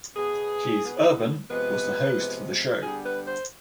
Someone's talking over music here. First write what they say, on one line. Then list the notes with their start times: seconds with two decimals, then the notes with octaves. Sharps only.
Keith Urban was the host for the show.
0.16 B2 B3 G#4
0.82 B2 B3
1.49 C3 F3 G#3 B3 B4
2.16 C3 F3 G#3 B3
2.81 D3 G3 B3 G#4
3.04 B4
3.26 C5